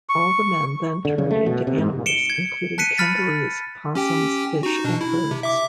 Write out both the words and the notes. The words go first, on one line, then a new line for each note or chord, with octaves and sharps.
All the men then turned into animals, including kangaroos, possums, fish and birds.
C#6
D3
C#3
A3
B2
C3
G#2
C#7 D7 E7 G7
G#6
A5 F#6 B6 C#7 D#7
A5 B5 F6 A6 B6
C#4 G4 G5
D#4 F#4
B2 D4
E4
C3
E5 D6